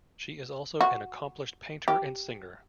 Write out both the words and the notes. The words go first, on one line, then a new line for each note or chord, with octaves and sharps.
She is also an accomplished painter and singer.
F#4
G4